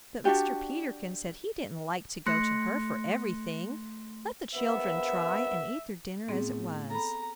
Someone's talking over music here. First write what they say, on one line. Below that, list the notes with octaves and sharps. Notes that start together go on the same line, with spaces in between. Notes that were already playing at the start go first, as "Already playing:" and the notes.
But Mr. Peterkin said he didn't like to go to her for everything; let the children try and eat their dinner as it was.
D4 F#4 G4 D5
A3 C6 F#6 A#6 C#7
A#1 B3 E5
A2 B3 C4 G#4
A4 A#5 B5